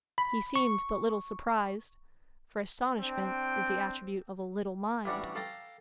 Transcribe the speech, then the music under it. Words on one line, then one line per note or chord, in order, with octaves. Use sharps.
He seemed but little surprised, for astonishment is the attribute of a little mind.
B5
C#6
C4 D4 G5
A1 G3 D4 F#4 C#6
A4 F5 G5 A5 A#5